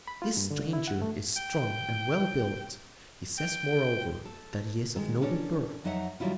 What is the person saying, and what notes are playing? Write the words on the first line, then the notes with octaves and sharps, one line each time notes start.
This stranger is strong and well-built, he says moreover that he is of noble birth.
B5
F4
G2
D3
E4
F#5
A3
G5
G5
A4
D#3 G#3
C#4 D4 A4 A#4 C#5
F2 F#3 D#4 D#5 E5 F#5
D#3 F#3 G3 E4 F4